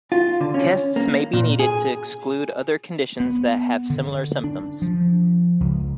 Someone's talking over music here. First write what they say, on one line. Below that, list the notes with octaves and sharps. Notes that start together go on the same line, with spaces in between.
Tests may be needed to exclude other conditions that have similar symptoms.
F4
D3
C#4
A#3
A#2
G#4
B3
D3
D4
F3
C#2